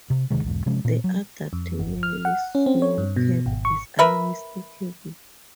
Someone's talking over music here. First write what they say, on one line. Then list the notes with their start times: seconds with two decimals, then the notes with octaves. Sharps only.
The adult male snowcap is unmistakable.
0.10 C3
0.31 E1 C3 D#3 G#3
0.43 B1 E2 G#2
0.66 C3 F3 G#3 C#4
0.85 A#2 C4
1.04 F#3
1.53 F2
1.79 G1
2.03 F6
2.25 F#5
2.55 C#4
2.66 C4
2.82 C#5
2.98 G2
3.16 B2
3.46 G#1
3.65 C#6
3.99 A#4 B4 E5